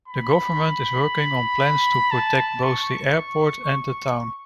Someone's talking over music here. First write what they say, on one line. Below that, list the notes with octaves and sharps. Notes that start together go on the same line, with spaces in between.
The government is working on plans to protect both the airport and the town.
B5
A5
C#6
C#6